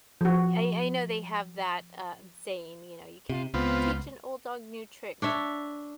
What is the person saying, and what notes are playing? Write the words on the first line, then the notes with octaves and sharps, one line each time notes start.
y I I know they have that, uh, saying, you know, "You can't teach an old dog new tricks."
F3 F#4
C3
C#2 B3 C4 F4
D4 C#5 E5